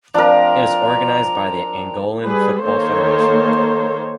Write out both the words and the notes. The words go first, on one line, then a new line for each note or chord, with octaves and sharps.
It is organized by the Angolan Football Federation.
F3 C4 D4 A#4 A#5
G3 G#4 B4
D#3 A#3 A4 C5 C#5